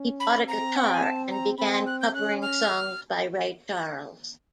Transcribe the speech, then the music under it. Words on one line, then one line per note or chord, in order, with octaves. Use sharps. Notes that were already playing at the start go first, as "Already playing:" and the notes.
He bought a guitar and began covering songs by Ray Charles.
Already playing: C#4
B5
C4 A#5
F#5
G5
G#5
A5
A#5
C4 B5
C6
F#6
G6
C#4 F#6
F6